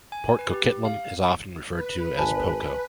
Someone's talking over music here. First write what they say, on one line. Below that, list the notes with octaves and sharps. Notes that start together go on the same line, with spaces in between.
Port Coquitlam is often referred to as PoCo.
G#5
B4
G4
F5
B4
G#1 G#5 A5 B5